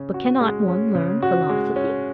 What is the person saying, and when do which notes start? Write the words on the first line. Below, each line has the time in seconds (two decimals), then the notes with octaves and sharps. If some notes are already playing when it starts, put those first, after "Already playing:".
"But cannot one learn philosophy?"
Already playing: C#3 C#4
0.14 F#4
0.40 G#3
0.68 C#4
0.95 C#3
1.22 F#4
1.49 G#3
1.76 C#4